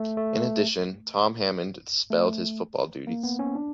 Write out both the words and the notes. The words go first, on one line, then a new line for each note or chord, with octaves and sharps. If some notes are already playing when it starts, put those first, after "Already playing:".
In addition, Tom Hammond spelled his football duties.
Already playing: A3
A3
A3
A#3
B3
C#4
D4